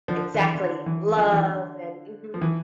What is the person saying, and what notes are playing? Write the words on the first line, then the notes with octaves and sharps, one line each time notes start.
Exactly. Love and mhm.
D3 F3
D3
E3
D3
E3
D3 F3
E3
D3
F3
E3